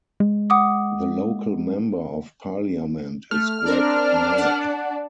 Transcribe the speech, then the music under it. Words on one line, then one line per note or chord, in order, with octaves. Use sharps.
The local Member of Parliament is Greg Knight.
G#3
F#5 D6 D#6
A3 F6
C4 D4 A#4 D5
F#5 A5